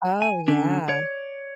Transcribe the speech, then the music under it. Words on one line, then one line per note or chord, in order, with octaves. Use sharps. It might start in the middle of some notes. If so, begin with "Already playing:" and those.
Oh, yeah.
G#5
D3 C#4 D4
C#5 D5